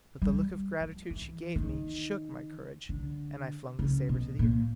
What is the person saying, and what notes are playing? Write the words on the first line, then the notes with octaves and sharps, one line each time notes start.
But the look of gratitude she gave me shook my courage, and I flung the sabre to the earth.
G3
F3
E3
D#3
D3
C#3
B2
A#2